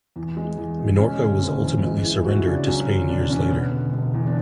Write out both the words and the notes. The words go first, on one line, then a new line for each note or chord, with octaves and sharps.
Minorca was ultimately surrendered to Spain years later.
E2
G#3
E2
B2
G#3 C#4
D3
F#1
E2
G#3
E3
C#2 F#4
E4
C#3 D4
D4
F#3 C#4
D3
E1 D4
E2 C#4
E1 B3
D3
E1
E2
D4